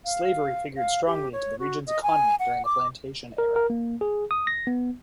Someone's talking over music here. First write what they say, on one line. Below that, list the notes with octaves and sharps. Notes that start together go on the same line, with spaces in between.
Slavery figured strongly into the region's economy during the plantation era.
F5
F5
G4
C#5
F#4
D#5
G#5
F#5
D6
A#4
A#4
A#3
G#4
D#6
A#6
B3